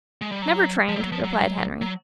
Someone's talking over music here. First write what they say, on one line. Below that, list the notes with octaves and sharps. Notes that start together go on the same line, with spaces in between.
"Never trained," replied Henry.
G#3
G3
F#3
F3
G3
F#3
F3
F#3
F#3